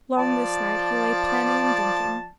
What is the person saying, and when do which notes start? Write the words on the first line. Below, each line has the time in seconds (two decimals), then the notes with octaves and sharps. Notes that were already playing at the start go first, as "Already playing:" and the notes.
Long this night he lay planning and thinking.
0.17 F3 D5 A5